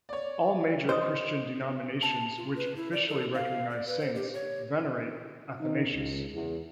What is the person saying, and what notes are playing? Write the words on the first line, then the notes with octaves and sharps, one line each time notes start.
All major Christian denominations which officially recognize saints venerate Athanasius.
C#5 D5
C5 D#5 D#6
A5
F4
B4
E4
D5
A4
F5
D5
B4
C5
G4
C#5
D#3
C#2
E2